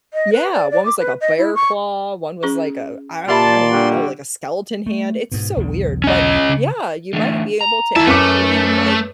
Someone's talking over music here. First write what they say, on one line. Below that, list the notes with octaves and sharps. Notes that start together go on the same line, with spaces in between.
Yeah, one was like a bear claw, one was like, uh, I I don't even know, like a skeleton hand, it's so weird, but yeah, you might be able to actually, like,
D#5
B4
D5
D5
D6
B4
D#5
E4
C#6
C#4 G#4 C#6
A#2 G4 D5 E5 A5 B5 C6
D3 G3 F#4
A3
G#2 B2
B1 E2 D3
C#4 D#5
C#3
D3 E3 A3
A#5
D#3 E4 A5
F#2 A3 B4 D6